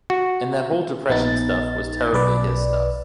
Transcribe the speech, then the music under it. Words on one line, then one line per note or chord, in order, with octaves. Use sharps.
And that whole Depression stuff was terribly his stuff.
F#4
A#1 B3 D#4 A6
B1 B4 D5